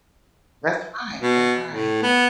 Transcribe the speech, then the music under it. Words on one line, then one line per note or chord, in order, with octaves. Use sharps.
That's right, that's right.
B2
A2
B3